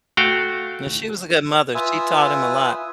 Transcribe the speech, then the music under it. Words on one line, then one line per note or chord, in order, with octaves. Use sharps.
Yeah, she was a good mother, she taught him a lot.
A3 F#4 F5 G5
F4 B4 E5 G#5 D#6 E6